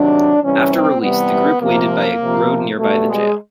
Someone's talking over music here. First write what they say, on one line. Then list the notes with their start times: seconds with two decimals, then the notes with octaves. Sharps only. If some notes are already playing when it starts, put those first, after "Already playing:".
After release, the group waited by a road nearby the jail.
Already playing: C3 D#3 F#3 D4
0.44 C3 E3 G3 C#4
0.73 C4
1.02 C3 E3 G3 B3
1.61 C3 F3 A#3
2.21 C3 F3
2.78 B2 G3 A3
3.08 G#3